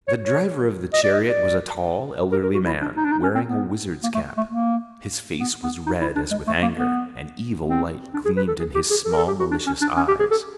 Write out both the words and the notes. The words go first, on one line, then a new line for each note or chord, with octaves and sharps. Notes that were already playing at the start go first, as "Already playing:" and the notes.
The driver of the chariot was a tall, elderly man, wearing a wizard's cap; his face was red as with anger, an evil light gleamed in his small malicious eyes.
C#5
C#5
D#5
D5
D#5
D5
A#4
A#4
F#4
E4
D4
D#4
D4
D#4
C#4
C4
B3
A#3
A3
A3
A#3
B3
B3
D#4
E4
D4
G#3
A3
A#3
B3
C4
D4
G#4
B4
A4
G#4
G4
G#4
A4
A#4
A4
G4
F#4
D4
C#4
D4
C#4
G4
G#4
A4